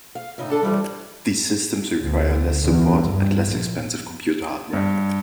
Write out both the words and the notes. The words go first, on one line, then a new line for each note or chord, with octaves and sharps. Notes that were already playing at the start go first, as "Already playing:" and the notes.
These systems require less support and less expensive computer hardware.
F5
A2 C#3 D#4
D3 D4 A4 A5
G2 E3 F3 G3
D2
E2
G2
A#1
G2